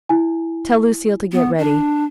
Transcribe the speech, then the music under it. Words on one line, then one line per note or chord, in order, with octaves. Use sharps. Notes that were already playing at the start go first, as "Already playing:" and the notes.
Tell Lucile to get ready.
E4 G#5
B3
D4